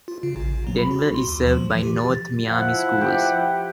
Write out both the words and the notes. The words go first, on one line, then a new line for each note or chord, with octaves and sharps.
Denver is served by North Miami Schools.
F4
C#3
A1
F#3
B5
F#4
C6
D#2
F3
E3
G4
A6
F3 E4 F#5
G4